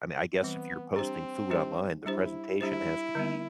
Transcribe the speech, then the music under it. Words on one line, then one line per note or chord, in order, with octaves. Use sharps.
I mean, I guess if you're posting food online, the presentation has to be,
E3 G3 B3 C4
G3 C4 D4 G4 C5
G3 D4 G4 C5
G3 D4 E4 G4 C5
G3 D4 E4 G4 C5
D3 G3 B3